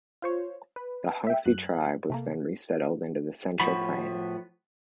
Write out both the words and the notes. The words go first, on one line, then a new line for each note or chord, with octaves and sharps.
The Hunxie tribe was then resettled into the Central Plain.
F4 C5 C#5
B4
E5 G5
F#2 F#3 F#6
C3 A3 A#3
A2 F3 B3 F#4 B5